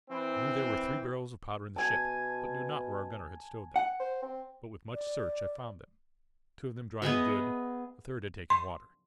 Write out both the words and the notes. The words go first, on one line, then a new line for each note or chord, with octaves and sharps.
I knew there were three barrels of powder in the ship, but knew not where our gunner had stowed them; but with much search I found them, two of them dry and good, the third had taken water.
E3 C4
B2 G#5 A5
F#5
C5
C4
D5
B3 G#4 D#5 E5
C6